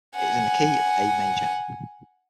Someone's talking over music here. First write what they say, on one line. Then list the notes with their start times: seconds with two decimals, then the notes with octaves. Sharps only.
It is in the key of A major.
0.16 F#5 G#5